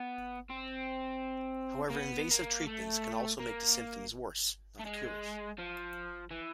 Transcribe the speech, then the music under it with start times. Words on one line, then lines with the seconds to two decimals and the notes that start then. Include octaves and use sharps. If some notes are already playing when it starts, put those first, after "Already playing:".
However invasive treatments can also make the symptoms worse, not cure it.
Already playing: B3
0.50 C4
1.90 A#3
1.95 B3
2.31 A#3
2.67 A3
3.39 A#3
4.79 A3
4.85 G#3
5.58 F3
6.31 E3